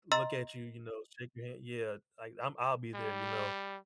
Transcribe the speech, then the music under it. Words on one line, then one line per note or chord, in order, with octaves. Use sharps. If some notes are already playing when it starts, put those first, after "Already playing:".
look at you, you know, shake your hand Yeah, like, I'm I'll be there, you know,
D#5 A#5 C6 E6 A6
G3